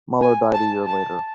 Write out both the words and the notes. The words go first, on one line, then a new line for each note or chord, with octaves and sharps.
Mueller died a year later.
G#5
A5
A5